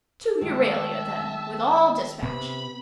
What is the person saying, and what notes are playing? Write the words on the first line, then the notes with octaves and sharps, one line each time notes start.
To Euralia then with all dispatch.
D#3 G#3 A3 E5 A5
C3 B3 B5